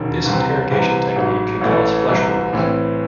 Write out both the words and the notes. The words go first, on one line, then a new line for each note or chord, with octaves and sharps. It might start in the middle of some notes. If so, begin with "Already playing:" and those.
This interrogation technique can cause flesh wounds.
Already playing: E1 D#2 D#3
C2 C3 E3 C4
C2 C3 E3
A1 G#2 F#3
A1 A2 E3 A3
C2 C3 E3
A2 E3 C4